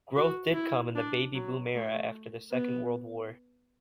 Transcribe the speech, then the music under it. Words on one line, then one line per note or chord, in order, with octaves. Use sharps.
Growth did come in the "Baby Boom" era after the Second World War.
F#4
E4
D4
F#3
A3
B3